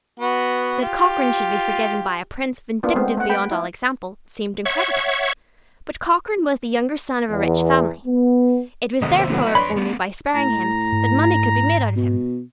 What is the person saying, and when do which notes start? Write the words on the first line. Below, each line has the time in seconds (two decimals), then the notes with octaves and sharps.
That Cochrane should be forgiven by a prince vindictive beyond all example, seemed incredible. But Cochrane was the younger son of a rich family; it was therefore only by sparing him that money could be made out of him.
0.20 B3 F#4
0.82 F4 G4
2.83 A#3 B3 D4 F4
2.95 G#3 A3 B3 C4
3.17 A3 F#5
3.29 B4 G5 B5
3.52 E4
4.65 C#5 E5 F#5 C#6
7.31 E2
8.05 B3
9.02 A1 D#2 C3 D#5 A#5
9.17 C5 E5
9.30 A2 F#3 B3
9.42 D#5 B5
9.55 F2 D4 B4 C#5 B5 C6
9.76 A3 B3
10.35 A2 A#5
10.92 G#2
11.96 B2